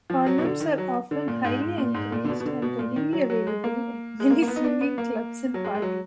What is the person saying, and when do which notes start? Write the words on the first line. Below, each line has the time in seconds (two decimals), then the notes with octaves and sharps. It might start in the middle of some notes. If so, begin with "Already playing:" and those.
Condoms are often highly encouraged and readily available at many swinging clubs and parties.
0.10 F3
0.27 F#3
0.38 B2
0.44 D3
0.60 D#3
0.78 F#3
1.11 D3
1.28 A#2
1.44 G#2
1.62 G#2
1.78 A#2
1.94 G#2
2.12 A#2
2.25 D3
2.29 B2
2.40 B2
2.45 D3
2.62 B2
2.79 A#2
2.96 D#3
3.13 F#3
3.30 F#3
3.47 G#3
3.64 A#3
4.20 G#3
4.30 A#3
4.42 A#3
4.47 B3
4.56 D#4
4.64 D4
4.81 B3
4.98 A#3
5.54 F#3
5.65 G#3
5.75 G#3
5.82 F#3